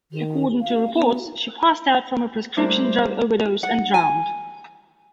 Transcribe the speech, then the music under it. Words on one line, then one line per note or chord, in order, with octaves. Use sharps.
According to reports, she passed out from a prescription drug overdose and drowned.
D#3
F5
B3
G3 A3 A#3 D4 E4 C5
F#5
G#5